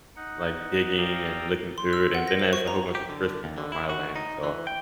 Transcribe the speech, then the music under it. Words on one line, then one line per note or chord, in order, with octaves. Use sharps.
like, digging and looking through it, and then there's a whole bunch of crystals on my land. So,
D#4 F#5
D5 F5 G5 A#5 D#6 E6
C6
E6
F#5
A#6
C5
C#6
A#5
G4
D3
D#2
D3
E4
F#4
D#4
E3
G5